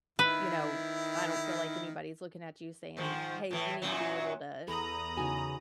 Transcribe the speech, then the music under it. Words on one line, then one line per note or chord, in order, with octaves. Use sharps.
you know, I don't feel like anybody's looking at you saying, "Hey, you need to be able to,"
D#3 E4 B4
G#2 D#3 F3
A2 E3
F#2 A#2 F#3
E2 A4 A#5 B5 D#6
C#3 D#4 F#4 G#5